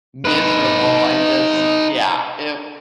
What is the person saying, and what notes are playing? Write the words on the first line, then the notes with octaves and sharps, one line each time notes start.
miserable and just yeah, it
D#4 B4